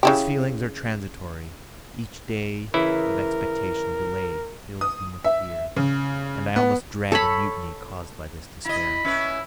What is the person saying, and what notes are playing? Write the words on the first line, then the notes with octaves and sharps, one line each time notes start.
These feelings are transitory; each day of expectation delayed fills them with fear, and I almost dread a mutiny caused by this despair.
C#3 E4 G4
C#3 E3 E4 A#4
D#6
E5
C#3
B3
A4 C#5 B5
E4 D#5 B5
C#4 E4 B4